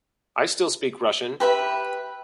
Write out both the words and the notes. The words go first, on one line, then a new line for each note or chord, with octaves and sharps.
I still speak Russian.
G4 B4 E5 B5